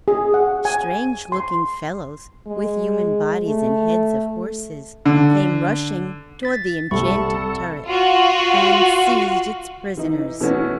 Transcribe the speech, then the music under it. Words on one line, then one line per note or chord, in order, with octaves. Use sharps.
Strange-looking fellows with human bodies and heads of horses came rushing toward the enchanted turret, and seized its prisoners.
G#4
F#5
G#5
C6
G#3
A3
D3
A6 B6
C2 G3 A4 F#5 B5 C#6
F4 F#4
E3 D#4
B2 E3 A3 B3 C#4 F#4